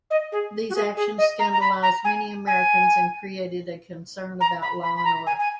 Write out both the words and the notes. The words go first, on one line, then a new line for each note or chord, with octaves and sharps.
These actions scandalized many Americans and created a concern about law and order.
D#5
G#4
F#4
G#4
G#4
D#5
A#5
A#5
B5
A#5
G#5
G#5
A#5
B5
B5
B5
A#5
G#5
G#5